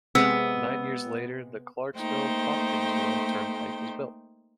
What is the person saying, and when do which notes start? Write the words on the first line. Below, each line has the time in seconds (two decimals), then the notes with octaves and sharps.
Nine years later, the Clarksville-Hopkinsville Turnpike was built.
0.15 C3 G#3 B3 E6
1.97 A3 A#3 D#4 C5 G5